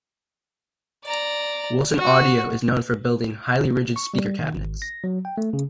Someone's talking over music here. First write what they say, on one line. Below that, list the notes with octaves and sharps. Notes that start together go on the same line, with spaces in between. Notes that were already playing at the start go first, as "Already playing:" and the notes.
Wilson Audio is known for building highly rigid speaker cabinets.
D5 A#5
F#4
C#6
G3
D#3
G#1
A#6
F#3
G5
A3
C#3